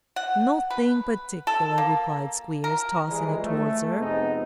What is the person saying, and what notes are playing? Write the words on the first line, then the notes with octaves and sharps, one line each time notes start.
'Nothing particular,' replied Squeers, tossing it towards her.
F#5
B4
A4
A#3
A#4
E3 F3 G3 G#3
A3
F2 C3 G#3 B3 D#4